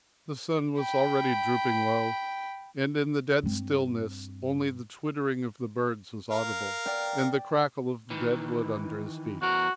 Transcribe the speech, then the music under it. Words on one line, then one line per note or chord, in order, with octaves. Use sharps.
The sun was already dropping low, and in the dead stillness only the twittering of the birds was audible, and the crackle of the dead wood under his feet.
G5 B5
G2 C4
A#4 F5
D5 G5
D#3 E3
E2 F#4 A#4